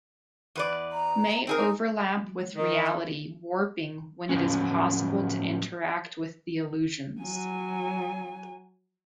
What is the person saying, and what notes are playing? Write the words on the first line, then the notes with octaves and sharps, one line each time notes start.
May overlap with reality warping when it is possible to interact with the illusions.
E2 B4 D5
A#5
C4 D#4 G#4 A#4
D#3
A2 F3 F#3 G#3 B3 C#4
F#3 G#5